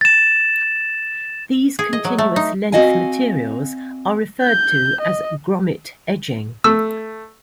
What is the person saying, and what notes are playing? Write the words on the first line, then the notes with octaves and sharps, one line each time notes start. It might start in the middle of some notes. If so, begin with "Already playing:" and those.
These Continuous length materials are referred to as "grommet edging".
A6 E7
G#4
D#5
F#3
A3
D#4
C4 F#4 D#5 F5 G#5
G6
D#5
A3 E6